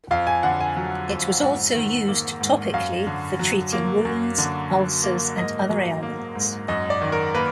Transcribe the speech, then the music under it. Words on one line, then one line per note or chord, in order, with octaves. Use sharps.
It was also used topically for treating wounds, ulcers and other ailments.
F2 F5
G#5
D3 F#5
G#5
F#3
F2
G#2 F#5
D#3
A#3
G#2
F#2 F5
D3
F#3
A#3
F#2
D3
F#3
A#3
G#2 D#5
F#3
A#3
G#2
F#2 D#5
D5
D#3
A#4
A#3 B4